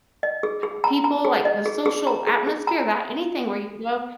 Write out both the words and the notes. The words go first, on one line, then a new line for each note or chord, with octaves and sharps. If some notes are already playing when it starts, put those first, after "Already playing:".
u people like the social atmosphere that anything where you can go
D#5
G#4
G#4
A#5
A#5
G#4
D#5
G#4
G#4
A#5
G#4
G#4
A#5